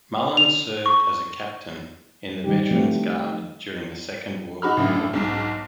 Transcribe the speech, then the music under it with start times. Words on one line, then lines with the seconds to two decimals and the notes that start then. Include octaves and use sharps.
Mullin served as a captain in the Veterans Guard during the Second World War.
0.37 F7
0.86 C#6
2.44 D#3 G3 D#4 G4
2.71 F3 A3 C4 F#4 G4 B4
3.24 D#4
4.62 D#4 F#4 B5 F6
4.77 A1 F#2 A2 D3 D4
5.13 B1 G#2